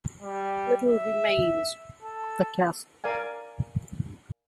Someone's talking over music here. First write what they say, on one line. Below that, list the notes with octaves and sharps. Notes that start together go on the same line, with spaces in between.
Little remains of the castle.
G3
E5
A4
A#4 D5 F5 G#5